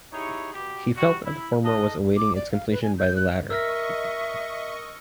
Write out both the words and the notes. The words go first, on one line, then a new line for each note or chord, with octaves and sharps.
He felt that the former was awaiting its completion by the latter.
D#4 E4 G4 G#4 C#5
B2 G4
G3 F#4
E4
D4 D#4 A4 D#5
D6
D5
F5
B4
G#5
G6
F#6
A#4 D#5 E5 C#6 E6 F6 A#6